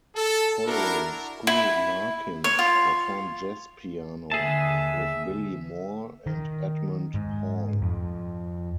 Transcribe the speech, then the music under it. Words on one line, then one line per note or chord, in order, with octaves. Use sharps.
Following school Larkins performed jazz piano with Billy Moore and Edmond Hall.
A4
D4 E4 F#4 A#4
E4
C#5
F4
D#2 D3 G#4 E5 A5
D#3
G#2
F2